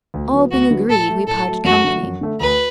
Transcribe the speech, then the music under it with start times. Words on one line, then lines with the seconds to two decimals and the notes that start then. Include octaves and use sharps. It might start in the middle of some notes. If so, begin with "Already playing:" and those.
All being agreed, we parted company.
0.14 D2
0.33 D3 F#3 B3 E4
0.51 D2 F#4
0.70 D3 F#3 B3 E4
0.89 A2 A4
1.08 F#3 A3
1.27 A2 A4
1.46 F#3 A3
1.65 F#2 F#4
1.84 D3 A3
2.03 F#2
2.21 D3 A3
2.40 D2 B4